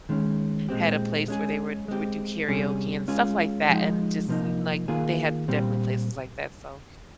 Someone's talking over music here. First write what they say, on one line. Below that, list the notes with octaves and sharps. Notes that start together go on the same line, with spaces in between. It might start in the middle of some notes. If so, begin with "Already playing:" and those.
had a place where they would would do karaoke and stuff like that, and just, n like, they had definitely places like that, so
D#3 G#3 C#4
A#2 G#3 C4 G4
G#3 C#4 G#4
G#3 C4 G4
C3 G3 C#4 G#4
G#3 C#4 F4 G#4
F3 G#3 D#4
C3 F3 A#3 D#4
D#3 A#3 F4 G#4
A#2 G3 C4 G4